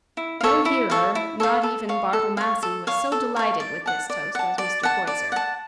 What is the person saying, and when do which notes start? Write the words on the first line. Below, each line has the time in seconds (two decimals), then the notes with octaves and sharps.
No hearer, not even Bartle Massey, was so delighted with this toast as Mr. Poyser.
0.17 E4
0.41 A4 C#5 F5
0.65 E4
0.90 A4 C#5 F5
1.15 E4
1.40 A4 C#5 F5
1.63 A4
1.89 C#5 F5
2.13 A4
2.37 C#5 F5
2.63 A4
2.87 C#5 F5
3.12 A4
3.36 C#5 F5
3.60 D5
3.86 F#5 A5
4.10 D5
4.35 F#5 A5
4.58 D5
4.83 F#5 A5
5.07 D5
5.32 F#5 A5